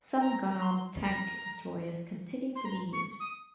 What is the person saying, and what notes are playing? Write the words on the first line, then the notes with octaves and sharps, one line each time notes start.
Some gun-armed tank destroyers continue to be used.
A#5
A#5
C6
A#5
C6
A#5
C#6
D#6